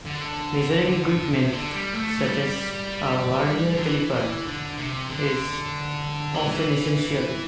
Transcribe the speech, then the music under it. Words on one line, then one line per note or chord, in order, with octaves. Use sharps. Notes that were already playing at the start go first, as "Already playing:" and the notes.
Measuring equipment such as a Vernier caliper is often essential.
D3
C3
D3
G3
A3
G3
D3
E3
E3
D3
C3
D3
E3